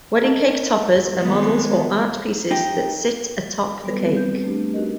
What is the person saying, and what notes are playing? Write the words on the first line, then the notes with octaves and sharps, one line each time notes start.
Wedding cake toppers are models or art pieces that sit atop the cake.
D#4 A4 A#4
D#3 G#3 B3 C4
D#4 G4
G3 B3 A4 B4
B3 C4 F#4 A4 B4
G6
A3 D4 G4
D#4 F#4 G4 A#4 D#5